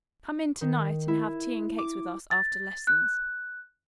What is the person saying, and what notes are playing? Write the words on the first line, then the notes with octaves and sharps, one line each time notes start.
Come in to-night and have tea and cakes with us after lessons.
D#3
E4
D6
A6
F#6